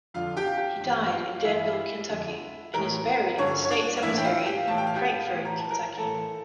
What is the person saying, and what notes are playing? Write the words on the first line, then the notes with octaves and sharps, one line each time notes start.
He died in Danville, Kentucky, and is buried in the State Cemetery, Frankfort, Kentucky.
F2 D3 F4 F5
G4 G5
G4 G5
G2 E3
F4 F5
F5
G2 E3 E4 E5
F2 D3
A2 E3 A#4
G2 D3 C#4 C#5
C#5
D4 D5
F5
A2 E3 E4 E5
G5
F4 F5
G4 G5
A2 E3 A5
G5
F5
G4 G5
A2 E3
A#5
A5
A#4 A#5
A2 E3 A4 A5